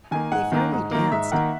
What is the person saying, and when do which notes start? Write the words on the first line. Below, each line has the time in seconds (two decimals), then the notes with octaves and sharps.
They fairly danced.
0.11 D#3 G#5
0.15 A#3
0.32 G#2 F#5
0.52 D#3 A#3
0.72 G#2
0.91 D#3 A#3
1.12 G#2 E5
1.32 D#3 A#3 F#5